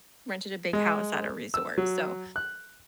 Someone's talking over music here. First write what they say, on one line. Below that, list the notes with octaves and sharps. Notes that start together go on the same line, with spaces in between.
rented a big house at a resort. So,
G#3
E6
F#3
F#6